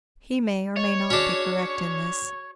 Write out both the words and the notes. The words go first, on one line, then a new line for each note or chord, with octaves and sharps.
He may, or may not, be correct in this.
C#5 D#5
C#4 D4 F#4 G#4